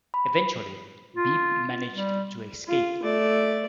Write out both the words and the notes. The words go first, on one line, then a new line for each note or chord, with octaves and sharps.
Eventually, Beep managed to escape.
B5
F4
G3
F4
A3 D5